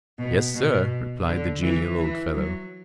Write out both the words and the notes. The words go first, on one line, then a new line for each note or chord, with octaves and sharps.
"Yes, sir," replied the genial old fellow.
B2
B2
D3
E3
E3
F#3